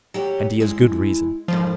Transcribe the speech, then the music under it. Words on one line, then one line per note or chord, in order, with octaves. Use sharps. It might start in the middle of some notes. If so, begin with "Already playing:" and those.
And he has good reason.
F#3 G4 C#5
G#3 E4 G#4
F2 G#2 D#3 F3